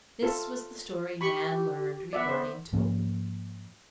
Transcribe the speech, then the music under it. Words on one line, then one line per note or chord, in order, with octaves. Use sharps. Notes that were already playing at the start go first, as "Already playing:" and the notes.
This was the story Nan learned regarding Toby.
F4 A4
G4 B5 C#6
B3 D5 E5 F#5
C5
G#2 F3 A#3 C#4